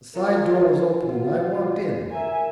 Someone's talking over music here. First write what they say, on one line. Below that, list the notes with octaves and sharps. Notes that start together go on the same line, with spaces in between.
The side door was open and I walked in.
F4 A#4
F4 F#4
A#4 E5 G#5